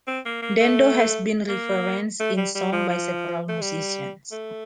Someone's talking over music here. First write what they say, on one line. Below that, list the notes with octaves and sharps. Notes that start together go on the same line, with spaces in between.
Dando has been referenced in song by several musicians.
C4
A#3
A#3
A3
A#3
A3
G3
G3
F3
F3
A3
G3
A3